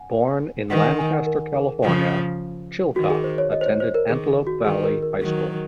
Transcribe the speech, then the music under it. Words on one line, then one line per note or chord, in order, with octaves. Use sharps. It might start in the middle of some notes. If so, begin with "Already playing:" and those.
Born in Lancaster, California, Chilcott attended Antelope Valley High School.
Already playing: F#5 G#5
D#3 F#5
F#5
G#5
F#5
A#4
G#4
C#3 F3
D#3 F#4
G#4
C5
C#5
D#5
C5
C#5
C5
A#4
D#3 G#4
G#4
F#4
D#3 G#4
A#4
A#4
D#3 F#3